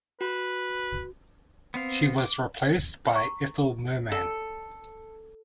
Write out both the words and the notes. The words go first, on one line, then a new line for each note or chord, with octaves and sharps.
She was replaced by Ethel Merman.
F#4 B4
B3 C4 F5
D6
A#5 C#6
A4 D5